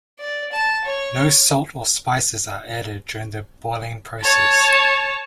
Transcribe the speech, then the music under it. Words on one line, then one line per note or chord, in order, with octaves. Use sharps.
No salt or spices are added during the boiling process.
D5
A5
C#5
C#5 A5